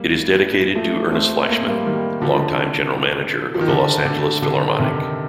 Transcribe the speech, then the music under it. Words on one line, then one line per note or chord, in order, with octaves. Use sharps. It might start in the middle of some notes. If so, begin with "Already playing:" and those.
It is dedicated to Ernest Fleischmann, long-time general manager of the Los Angeles Philharmonic.
Already playing: G3 A#3
F3 A3
A3 C4
A#3
C4
G3 A#3
D#3 G3
D3 F3
F3
D#3
D3
D3
D3
C3 D#3